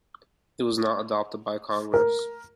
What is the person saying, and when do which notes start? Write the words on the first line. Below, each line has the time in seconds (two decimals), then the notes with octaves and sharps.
It was not adopted by Congress.
1.94 A#4